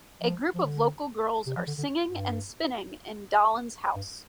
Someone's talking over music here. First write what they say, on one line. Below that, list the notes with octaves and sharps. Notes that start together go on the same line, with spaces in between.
A group of local girls are singing and spinning in Daland's house.
F3
F3
D3
C3
F3
D3
D3
G2
G2